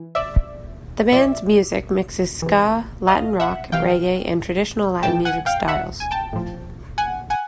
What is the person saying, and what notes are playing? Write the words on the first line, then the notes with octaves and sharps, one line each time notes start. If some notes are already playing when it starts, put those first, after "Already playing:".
The band's music mixes ska, latin rock, reggae and traditional Latin music styles.
Already playing: E3
D5 E5
A#2 F3 D5 E5
C3 E3
D#5 F5
E5 F#5
C3 E3 F5 G5
A2 E3 G5 A5
F#5 G#5
F5 G5
E5 F#5
G#5
G5 A5
A2 F3
F#5 G#5
F#5 G#5